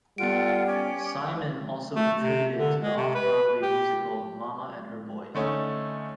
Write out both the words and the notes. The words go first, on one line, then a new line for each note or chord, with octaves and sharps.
Simon also contributed to the Off-Broadway musical "Mama and Her Boys".
G3 B3 F4 A4 F#5 D7
C#4 G#5 D6
A3
C3
D3
G#3
C3
B4
G4
D3 A3 C#4 D#4